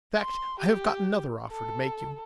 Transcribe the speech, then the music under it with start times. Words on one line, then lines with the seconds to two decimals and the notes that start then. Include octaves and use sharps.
In fact, I have got another offer to make you.'
0.20 C6
0.60 G4
1.51 A4